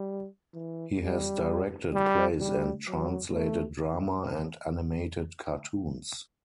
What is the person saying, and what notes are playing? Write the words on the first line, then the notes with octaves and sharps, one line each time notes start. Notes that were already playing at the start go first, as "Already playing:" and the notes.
He has directed plays and translated drama and animated cartoons.
Already playing: G3
E3
G3
G3
G3
F#3
A3